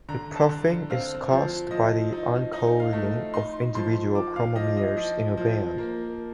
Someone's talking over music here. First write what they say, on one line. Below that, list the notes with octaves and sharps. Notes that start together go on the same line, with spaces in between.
The puffing is caused by the uncoiling of individual chromomeres in a band.
D3 A#5
A5
D3
C4 F5
F3
F3 D#5
D#4
D#4 D#5
F5
A3
D#4 C6
F3 C6
F3 D6
F5
F3 D#5
D#5
F3 D#5
F3
A#3